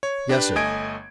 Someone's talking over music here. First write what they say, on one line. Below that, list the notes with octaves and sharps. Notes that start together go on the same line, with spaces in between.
"Yes, sir."
C#5
D4 G4 B4
G1 A3 D#5 G#5 G#6 D7